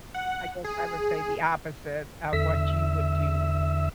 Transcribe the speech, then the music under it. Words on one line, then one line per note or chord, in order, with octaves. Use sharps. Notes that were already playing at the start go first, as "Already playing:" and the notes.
I guess, I would say the opposite of what you would do.
F#5
G#4
E2 D3 E5 E6